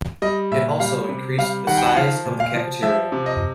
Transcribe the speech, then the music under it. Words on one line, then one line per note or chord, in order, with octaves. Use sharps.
It also increased the size of the cafeteria.
G3 D#5
A#2 E5
G3 F5
C3
G3 F5
D#3 F#5
G5
F#5
F3 F5
A#2
F5
F3
F3 E5
C3
D#5